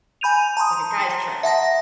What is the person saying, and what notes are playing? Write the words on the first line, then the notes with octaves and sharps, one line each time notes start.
It's like a guys' trip.
G#5 B5 G6 D#7 F7
A5 A#5 C6 D#6
E5 F#5 A5 A#6